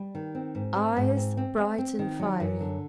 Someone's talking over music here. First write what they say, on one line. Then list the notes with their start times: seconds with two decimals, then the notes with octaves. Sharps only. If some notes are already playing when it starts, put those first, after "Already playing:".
EYES--Bright and fiery.
Already playing: G3
0.15 D#3
0.35 C4
0.55 G#2
0.76 C4
0.97 G#2
1.17 C4
1.37 C4
1.58 C4
1.78 C4
1.99 D#3
2.19 F#3
2.40 F#2
2.60 D3